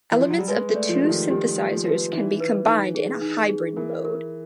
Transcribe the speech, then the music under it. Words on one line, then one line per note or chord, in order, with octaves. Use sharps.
Elements of the two synthesizers can be combined in a "hybrid" mode.
E3
F3
F#3
G3
G#3 B4
A3
D5
F3
G4
D#3
F3 G4
G4
F3
B4
E3 D#4
B4
D#4
G#4
D#4
G#4
E3 A#4
A#4